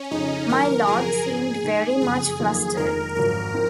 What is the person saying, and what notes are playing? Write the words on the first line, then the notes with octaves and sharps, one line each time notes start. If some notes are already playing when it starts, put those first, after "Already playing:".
My Lord seemed very much flustered.
Already playing: C#4
F2 C#3 F3 D#4
D#2 D#3 F#3 A#4
F#2 C#3 F3 G#4
G#2 F3 G#3 C#4
D#2 D#3 G#3 D#4
F#1 F2 C#3 G#3 G#4
F2 D#3 F#3 A#3 F4
F1 F2 D#3 G#3 A#4
G#1 F#2 F3 A#4
F3 C4 D#4